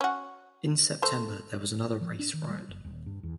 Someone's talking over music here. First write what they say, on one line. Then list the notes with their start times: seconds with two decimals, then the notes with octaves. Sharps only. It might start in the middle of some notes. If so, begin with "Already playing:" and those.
In September there was another race riot.
0.01 C#4 F#4
1.02 A3 C5
2.01 F3
2.19 D4
2.34 D#3
2.49 G3
2.69 F#1
2.84 D#1
3.06 G2
3.23 E2